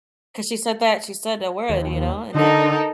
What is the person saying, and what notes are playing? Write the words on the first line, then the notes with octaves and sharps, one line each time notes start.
'Cause she said that she said the word, you know, and that
D#2
D3 D#4 A4 A#4